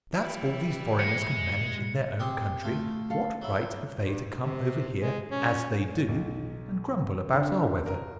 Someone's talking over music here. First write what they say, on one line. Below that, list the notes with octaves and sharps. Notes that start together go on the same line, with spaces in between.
"If that's all these foreigners can manage in their own country, what right have they to come over here, as they do, and grumble about our weather?"
E3 G3 E4
G#3 C#7
C4 G4 G#4
A3 F4
A4 F5
F#3 E4
G2
C3
G#3
C#4
B1
D3
A#4